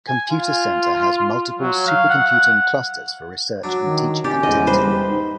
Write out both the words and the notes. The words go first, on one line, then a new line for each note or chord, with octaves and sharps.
Computer centre has multiple super computing clusters for research and teaching activity.
G#5
F4
F#3
F5
F#5
F#3 D4
D#3
C#4 G4 D5
E2 G#2 D#5
G3 B4 C5
D#4